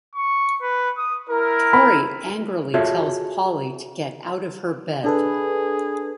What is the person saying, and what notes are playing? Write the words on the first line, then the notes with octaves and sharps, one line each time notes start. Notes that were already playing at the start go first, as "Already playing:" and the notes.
Tori angrily tells Paulie to get out of her bed.
C#6
B4
D#6
E4 A#4
B5
F4 F#4 G#4 A4 C#5 E5
D4 G#4 A4 B4